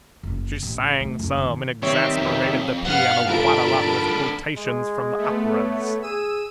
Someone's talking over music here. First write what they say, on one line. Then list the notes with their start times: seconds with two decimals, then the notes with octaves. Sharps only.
She sang some, and exasperated the piano quite a lot with quotations from the operas.
0.23 F#1
0.63 A1
1.00 A3
1.19 F#1
1.38 D#3
1.83 D#3 G3 C4 C#5 E5
2.17 F2
2.85 G2 B3 F5 F#5 F6
3.28 D3 G3 F4 A4 A#4 A5 B5 D7
4.57 G#3
5.18 A3 B3
5.49 C#5
6.02 G#4 E6 D#7